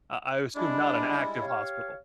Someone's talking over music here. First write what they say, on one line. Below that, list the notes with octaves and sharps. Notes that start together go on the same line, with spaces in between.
I I assume not an active hospital.
G3 G#3 D4 E4
G4 C#5 F5